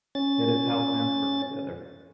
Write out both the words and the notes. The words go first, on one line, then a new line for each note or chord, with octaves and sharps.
It is how plants work together.
C#4 A6